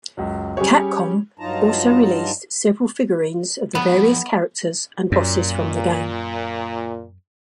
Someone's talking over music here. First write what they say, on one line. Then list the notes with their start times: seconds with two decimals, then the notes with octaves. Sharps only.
Capcom also released several figurines of the various characters and bosses from the game.
0.17 C#2 F#2
0.57 G3 C#4 G4 G#4 C#5
1.39 G2 F#3 D#4 F4 A5 A#5
3.75 F3 B3 A4 D5
5.12 F#2 A#2